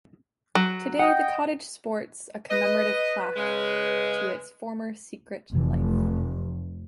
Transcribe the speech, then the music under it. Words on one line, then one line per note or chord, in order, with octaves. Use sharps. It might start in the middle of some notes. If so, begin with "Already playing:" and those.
Today the cottage sports a commemorative plaque to its former secret life.
F#3
D#5 F#5 G5
B4 D#5
C#3 G#3
F1 F2 C3 E3